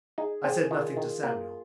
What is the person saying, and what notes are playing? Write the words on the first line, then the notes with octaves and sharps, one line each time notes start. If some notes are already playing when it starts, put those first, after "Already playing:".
I said nothing to Samuel.
D#4 G#4
C4 G#4
D#3 F4
D#3
A#3